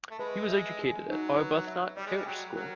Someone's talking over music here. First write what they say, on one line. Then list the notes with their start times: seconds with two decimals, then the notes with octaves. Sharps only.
He was educated at Arbuthnott Parish School.
0.11 A3
0.19 G#3 B4
0.49 E5
0.79 G#4
1.08 F#3 D#4
1.37 B4
1.67 E5
1.97 G3 D5
2.06 G#3
2.17 G3
2.26 F#3 G5
2.56 F#3 A#4